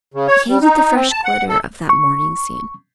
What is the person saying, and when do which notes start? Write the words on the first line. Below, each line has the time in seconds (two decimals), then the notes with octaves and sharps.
He hated the fresh glitter of that morning scene.
0.14 C#3
0.28 C#5
0.48 G3
0.62 D#4
0.95 C4
1.11 A5
1.24 F#5
1.49 A4
1.89 C#6